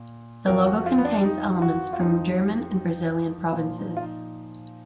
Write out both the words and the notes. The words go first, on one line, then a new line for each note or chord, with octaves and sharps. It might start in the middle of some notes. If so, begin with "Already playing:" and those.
The logo contains elements from German and Brazilian provinces.
Already playing: A#2
F2 F3 A#4
F#4
F4
B3
D4
D#4
F#4
F4
F2 F3 D#4
A#2 F3 F4
D#4
F4
D#4